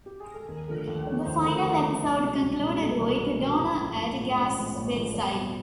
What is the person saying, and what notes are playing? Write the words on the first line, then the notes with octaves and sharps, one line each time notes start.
The final episode concluded with Donna at Gaz's bedside.
G4
G#4
A4
D#2 A#4
D3 F3 A3
D#2 A4
D3 F3 A3 C#5
D#2 C5
A4
D3 F3 A3 A#4
A4
D#2 G#4
D3 F3 A3
C2
B2 G#3 C#4
C2
B2 G#3 C#4
C2 A4
B2 G#3 C#4
B4
C2 A#4
B2 G#3 C#4
A1
A2 F3 G#3
A1
A2 F3 G#3
A1 C5
A2 F3 G#3 C5
A1 C#5
A2 F3 G#3 C5
E2 C#5
B2 G3 C4